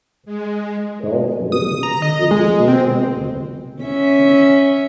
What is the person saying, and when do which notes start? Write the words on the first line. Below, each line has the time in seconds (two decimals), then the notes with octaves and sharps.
Carl Smith was the team captain.
0.26 G#3
1.52 D#6
1.83 A#5
2.02 D#5
2.31 G#3
2.68 C4
3.83 C#4 E5